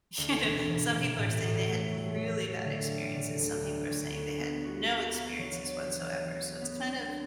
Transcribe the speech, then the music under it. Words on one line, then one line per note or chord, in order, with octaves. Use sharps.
you know, some people are saying they had really bad experiences, some people are saying, "They had no experiences whatsoever," so it's kind of
D2
E1
E1
E1
A2
A2
A3
F#3
F#3
A3
D3
G3
D3
D2
G3
D2
F#4
B3
F#4
F#4
B3
F#3
B3
F#3
F#3
B3
B3
D4